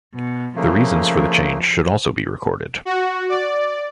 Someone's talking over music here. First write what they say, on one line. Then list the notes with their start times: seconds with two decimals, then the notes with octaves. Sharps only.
The reasons for the change should also be recorded.
0.15 B2
0.56 C#3 F3 A3 A#3
2.85 F#4
3.29 D5